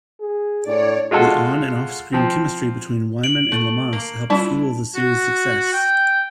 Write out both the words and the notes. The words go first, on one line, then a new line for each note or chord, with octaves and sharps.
The on- and off-screen chemistry between Wyman and Lamas helped fuel the series' success.
G#4
A2 D4 C#5 D5
G#3 F4 F#4 A4
F3 C4
D7 F#7
A3
A#3
G3 D4 E4 F4 A5
F#4
G5